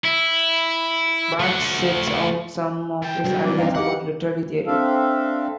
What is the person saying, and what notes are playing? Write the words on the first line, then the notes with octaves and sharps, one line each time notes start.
Barthes sets out some of his ideas about literary theory.
E4
A3 F#5
E3 G5 A5
C#2 G2 F#3
C3 D#3 E3 D6
C4 D#4 F5 G5 A#5
D#4 G4 F#5 D6
C4 D4 A4 E5 F5